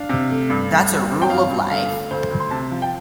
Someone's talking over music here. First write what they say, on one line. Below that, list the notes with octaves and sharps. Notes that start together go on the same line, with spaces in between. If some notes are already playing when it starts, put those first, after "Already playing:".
That's a rule of life.
Already playing: D4 F5
C3
A3
G2
G2
G3
C4
G5
G2 F5
G2
D3 F5
A3
D2 C5
D2
C6
C3 A5
F3
G5